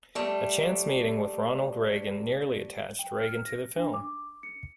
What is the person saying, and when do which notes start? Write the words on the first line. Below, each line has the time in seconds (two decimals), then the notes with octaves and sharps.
A chance meeting with Ronald Reagan nearly attached Reagan to the film.
0.15 G3 A3
2.99 G5
3.19 F6
3.46 A#6
3.76 D4
3.94 D6
4.43 C#7